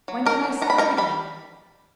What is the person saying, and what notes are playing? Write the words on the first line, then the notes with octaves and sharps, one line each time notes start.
"When can I set out again?"
F#3
D#4 A#4 A#5
F#3
B3 A#5
B5
D#4 A#4 A#5
G3 B5